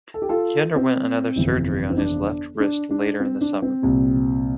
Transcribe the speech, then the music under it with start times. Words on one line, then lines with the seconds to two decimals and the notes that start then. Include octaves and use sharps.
He underwent another surgery on his left wrist later in the summer.
0.14 A4
0.22 G4
0.29 F4 A4
0.76 C4
1.36 G1 F2 C3 E3
1.90 C4
1.98 D4
2.60 D4
2.91 D4
3.20 C4
3.41 D4
3.62 C4
3.82 C2 A#2